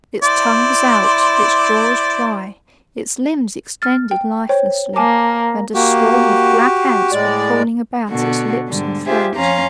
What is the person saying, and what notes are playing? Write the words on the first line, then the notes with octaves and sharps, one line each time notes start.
Its tongue was out, its jaws dry, its limbs extended lifelessly, and a swarm of black ants were crawling about its lips and throat.
E4 C5 D5
F6 A6
G5
C5 C#5 G5
A#3 G#5 A5 D6
A#3 F#4 G4
A2 G#3 D5
B2 D3 F#4
G#2 D3 G3
F4 G4 G#4 C5 E5
F2 C#4 F5 A#5 C6